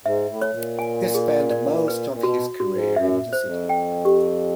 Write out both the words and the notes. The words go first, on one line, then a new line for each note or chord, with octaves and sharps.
He spent most of his career in the city.
G#2 E5
A2
C#5
A#2
G#5
G#4
D5
B4
A#2
B2 F#4
F#4
G#2
F#2 E5
C5
F2
G5
G4